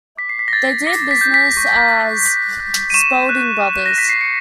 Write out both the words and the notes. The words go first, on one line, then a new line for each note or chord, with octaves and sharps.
They did business as Spaulding Brothers.
D6 B6
C7
B6
A#6
G6 A6
D6 A#6
B6
G6
B6
C#6
F#6
C#6
F#6
D#7
C#6 E7
F#6
C#6
A#6
F#6 B6
C7
C#7